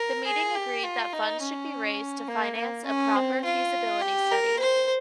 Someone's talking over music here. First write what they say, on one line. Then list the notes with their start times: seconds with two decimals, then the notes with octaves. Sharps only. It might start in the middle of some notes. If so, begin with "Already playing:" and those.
The meeting agreed that funds should be raised to finance a proper feasibility study.
Already playing: A#4
0.26 G#4
0.55 G4
0.84 F4
1.13 D#4
1.41 C#4
2.28 A#3
2.57 A#3
2.86 C#4
3.16 C4
3.45 F4
4.02 G4
4.31 A#4
4.59 C5